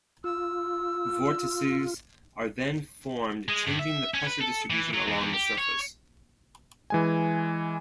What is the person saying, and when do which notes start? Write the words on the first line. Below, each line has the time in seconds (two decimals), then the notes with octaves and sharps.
Vortices are then formed changing the pressure distribution along the surface.
0.24 F4 E6
3.49 G#3
3.67 G2
3.79 E5
4.14 C#4
4.27 B4
4.41 A4
4.71 E3
4.94 F#3
5.07 E2
5.34 G4
5.58 C#5
6.90 E3 G#3 G#5